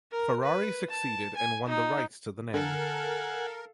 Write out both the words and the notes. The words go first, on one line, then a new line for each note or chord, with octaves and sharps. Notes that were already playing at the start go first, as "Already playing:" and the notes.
Ferrari succeeded and won the rights to the name.
A#4
B4
A5
G#5
D#4
D3 A4 A#4 F5 F#5 G#5